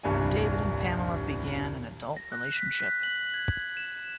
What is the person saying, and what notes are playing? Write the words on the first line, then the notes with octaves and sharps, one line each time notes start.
David and Pamela begin an adult relationship.
D#1 C2 G2 D4 G#5
A#6
F#6
B6
F#6
F#7
G#6
E7